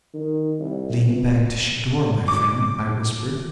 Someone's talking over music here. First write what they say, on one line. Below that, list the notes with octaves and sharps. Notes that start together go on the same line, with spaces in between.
"Lead back to Shador, my friend," I whispered.
D#3
C2
B3
D6